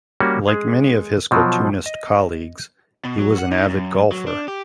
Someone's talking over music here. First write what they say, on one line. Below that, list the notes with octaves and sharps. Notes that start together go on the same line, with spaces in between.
Like many of his cartoonist colleagues, he was an avid golfer.
G3 A#3 C#4 F#4
G#3 G#4
B2 F3 F#3
D#5
B2
F#3
F#5
D#4
F#2
F#3
D4
G4